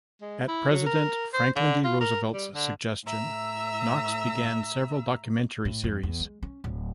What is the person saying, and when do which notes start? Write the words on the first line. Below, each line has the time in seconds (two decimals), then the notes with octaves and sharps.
At President Franklin D. Roosevelt's suggestion, Knox began several documentary series.
0.21 G#3
0.48 E4
0.70 F#3
0.86 A#4
1.34 C5
1.56 D3
1.84 F4
2.00 A#4
2.33 G3
2.54 D3
3.04 A2 E5 A#5 E6
5.65 A2
5.84 F2
6.03 E2
6.20 G#3
6.43 C#4
6.64 D1